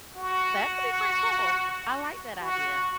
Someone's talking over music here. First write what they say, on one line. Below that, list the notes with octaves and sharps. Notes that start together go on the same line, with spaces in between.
That could be pretty cool. I like that idea.
F#4
F#4